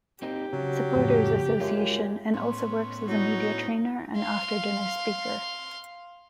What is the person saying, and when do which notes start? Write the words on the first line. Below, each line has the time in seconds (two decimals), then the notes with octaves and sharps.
Supporters' Association and also works as a media-trainer and after-dinner speaker.
0.22 A#3 C4 D#4 G4
0.53 C#3 F#3
0.95 F2 A2
1.60 F#2 G#3 F4
2.34 A2 B3 C#4 C6
3.08 F#3 D#4 E4
4.19 F5 C6